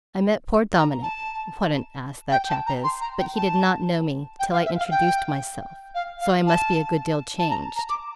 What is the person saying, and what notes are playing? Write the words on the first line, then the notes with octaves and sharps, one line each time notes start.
I met poor Dominick--what an ass that chap is--but he did not know me till I introduced myself, so I must be a good deal changed.
A#5
A5
G5
A5
A#5
C6
A#5
G5
A5
G5
F5
E5
F5
G5
F5
F5
A5
A5
A#5
A#5
D6